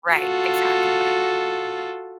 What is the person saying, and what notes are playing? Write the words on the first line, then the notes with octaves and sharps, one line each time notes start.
Right, exactly.
F4 F#4 A4